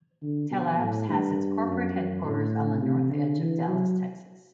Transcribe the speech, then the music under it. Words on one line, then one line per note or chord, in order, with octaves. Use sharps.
Tellabs has its corporate headquarters on the north edge of Dallas, Texas.
D3
B2
A2
G2
F#2
F#2
A2
C3
D3
E3
F#3